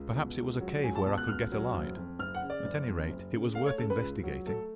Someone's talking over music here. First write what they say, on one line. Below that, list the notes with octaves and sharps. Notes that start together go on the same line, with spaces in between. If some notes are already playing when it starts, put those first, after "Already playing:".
Perhaps it was a cave where I could get a light--at any rate, it was worth investigating.
Already playing: C#2
B2
C#2
F#3
C#2 G#5
A5
B2 A5
F#6
C#2 F6
F#3
F#1
F2
F#1 F6
F#5
C#3
D5
F#1
F2
F#1
C#3
A3 F5
C#5
C#3 A4
B4
C#2
F#3
A3 A4